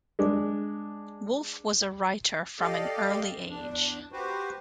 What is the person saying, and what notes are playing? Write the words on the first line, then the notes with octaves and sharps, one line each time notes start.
Wolfe was a writer from an early age.
G#3 D4
G4 A4 D5 D#5 F5
E2 D4
F#4 G4 B4 C5